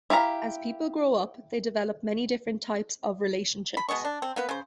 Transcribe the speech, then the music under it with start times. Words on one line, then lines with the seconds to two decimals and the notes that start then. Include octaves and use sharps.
As people grow up, they develop many different types of relationships.
0.10 E4 G4 F5 A#5
3.77 B5
3.89 B2 G#3 D#5 C#6
4.05 D4
4.22 C4
4.36 A#3 B3 B4
4.49 C#3 C5